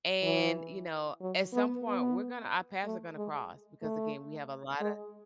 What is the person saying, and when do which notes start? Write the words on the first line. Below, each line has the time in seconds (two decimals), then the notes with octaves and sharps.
And, you know, at some point, we're gonna our paths are gonna cross because, again, we have a lotta
0.23 E3
1.21 F#3
1.53 B3
1.86 B3
2.85 A3
3.17 G#3
3.83 A3
4.81 G#3